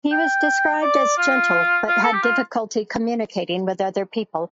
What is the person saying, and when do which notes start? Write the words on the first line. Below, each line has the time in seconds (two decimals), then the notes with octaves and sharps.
He was described as gentle but had difficulty communicating with other people.
0.12 G5
0.82 D5
1.18 F4
1.88 F4
2.03 A4
2.13 G4
2.22 F4